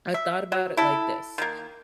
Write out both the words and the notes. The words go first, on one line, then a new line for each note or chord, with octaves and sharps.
I thought about it like this
E5
F#3
E4 A4
D#3 A#3